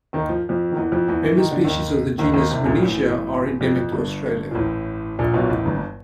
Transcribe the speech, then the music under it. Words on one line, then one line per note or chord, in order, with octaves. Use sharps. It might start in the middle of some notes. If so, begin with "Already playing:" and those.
Member species of the genus "Menetia" are endemic to Australia.
D#2 D#3
F3
F2 F3
D#3
E2 E3
F2 F3
E2 E3
E3
D#3
D3
D#2 D#3
D#2 D#3
D#2 D#3
C2 C3
A#1 A#2
A1 A2
F2
F2
G1 G2
A#2
A1 A2
A#1 A#2
B1 B2
A#2
A1 A2
G1 G2
G2